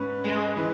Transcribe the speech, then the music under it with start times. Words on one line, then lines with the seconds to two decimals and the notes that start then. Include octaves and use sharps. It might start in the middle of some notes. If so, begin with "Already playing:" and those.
you don't
Already playing: G#2 C#4 B4
0.24 G#3
0.57 E3 B4